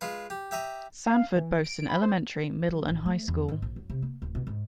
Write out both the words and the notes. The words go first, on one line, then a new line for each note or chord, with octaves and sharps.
Sanford boasts an elementary, middle and high school.
G#3 F4 B4
G4
G4 E5 A#5 D#6
F5
E3
D7
B5
C5
F#3
A1
A3
E2
G#2
A#1
F#2
C3
A#3
D1
B2
G#2